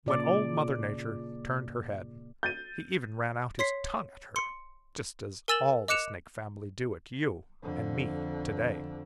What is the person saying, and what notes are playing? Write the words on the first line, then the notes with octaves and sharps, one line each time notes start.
When Old Mother Nature turned her head, he even ran out his tongue at her, just as all the Snake family do at you and me to-day.
A#2 C#3 D5
G6 A6 D#7
C#5 C6 B6 C7
C6 C#7
A#4 G#5 E6 A6 E7 F#7
D#5 D6 F#6 C#7 E7 F7
F2 D3